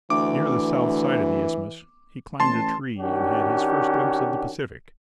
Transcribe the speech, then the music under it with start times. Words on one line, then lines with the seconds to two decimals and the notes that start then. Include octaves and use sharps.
Near the south side of the isthmus he climbed a tree and had his first glimpse of the Pacific.
0.10 D2 E3 D6
2.40 A1 A5 C6
2.99 D#3 C#4 D4 F#4 G4